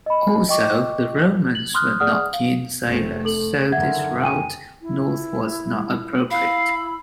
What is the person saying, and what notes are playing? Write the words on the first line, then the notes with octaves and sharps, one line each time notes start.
Also, the Romans were not keen sailors, so this route north was not appropriate.
D#5 B5
D#5 G5 C#6 D6
F#7
C6 D#6 F6 F#6
G#4 D5 F#5 D#6 F6
F5
F1 A3 C4
A4 F#7
F#2 D3 D#3 E5 F#5 G#6
G5 G#5 D#7
E4
E4 F5 B5 E6